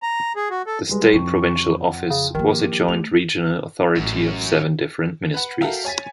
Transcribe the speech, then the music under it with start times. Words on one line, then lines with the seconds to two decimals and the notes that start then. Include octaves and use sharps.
The State Provincial Office was a joint regional authority of seven different ministries.
0.03 A#5
0.36 G#4
0.50 F#4
0.66 A4
0.89 G3 G#3 F#4 B4
1.13 F2 C#3 C#6
1.80 F#5
2.10 C#3
2.35 D#3 F3 A#3 G4
2.88 A3 F7
3.96 A1 F#2
5.34 B4 F#5
5.61 F#4 A4 A#4 E5 F5 G5
5.85 C#5 G#5 A6 B6